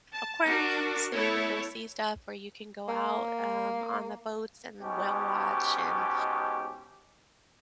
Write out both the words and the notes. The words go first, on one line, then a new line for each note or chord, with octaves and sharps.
aquariums, so you can go see stuff or you can go out, um, on the boats and whale watch and,
A5
D4 F#4 A#4
A3 B3 E4 A4 C#5
A#3
G#2 B2 C#4 G4